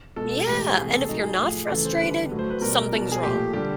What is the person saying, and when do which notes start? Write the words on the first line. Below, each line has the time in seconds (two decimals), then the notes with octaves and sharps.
Yeah! And if you're not frustrated, something's wrong.
0.16 B2 G#3 A4
0.47 A2 E3 G#3 G4
0.78 C3 E3 A3 G#4
0.93 A4
1.08 A2 F#3 A3 D#4
1.23 G#4
1.39 A2 F3 A3
1.70 C#3 E3 A3 A4
1.85 C5
2.00 D3 G3 B4
2.31 A2 F#3 A3
2.39 C5
2.50 B4
2.61 B2 G3 A#4
2.93 B2 G3
3.12 G#4
3.23 A#2 F3 A3 G4
3.53 D3 G3 G4